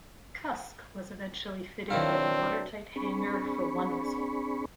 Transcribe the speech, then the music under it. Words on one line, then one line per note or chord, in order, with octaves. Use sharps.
"Cusk" was eventually fitted with a watertight hangar for one missile.
B2 D#3 F#3 C4 D4 E4 F4 A5
C4 D4 G#4 B5 C#6